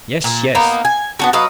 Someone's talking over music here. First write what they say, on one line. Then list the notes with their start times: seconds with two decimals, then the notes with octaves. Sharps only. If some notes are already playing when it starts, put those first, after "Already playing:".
Yes! yes!
0.24 A#2
0.55 A#3 B3 D#4
0.85 G#5
1.19 B3 D4 F#4
1.33 F#3 B4 D#5 F5